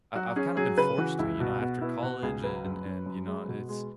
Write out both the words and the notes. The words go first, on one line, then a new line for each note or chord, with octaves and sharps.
I I've kinda been forced to, you know, after college and and, you know, it's,
F#3 F#4
C#4 G#4
F#3 G#4
C#3 B4
E3 F#4
C#2 E4
B2 F#4
B3 F#4
B3 E4
B2 F#4
C#2 G#4
F#3 B4
F#2
C#4
F#2
G#3
B2
G#3